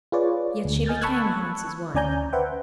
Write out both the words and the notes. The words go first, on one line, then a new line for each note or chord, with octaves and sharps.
Yet she became Hans' wife.
F4 G#4 B4 C#5 D5
D2
D#5 G#5 F6 G6 A6
A5 B5 C#6 E6 F#6 G#6
D2 C#4 D5 G#5 A#5 G6
B4 C5 E5 F#5 G5